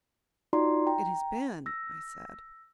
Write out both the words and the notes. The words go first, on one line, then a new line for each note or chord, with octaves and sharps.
"It has been," I said.
D#4 F4 F#4 D5 A#5 C6
G5 A#5
E6 A#6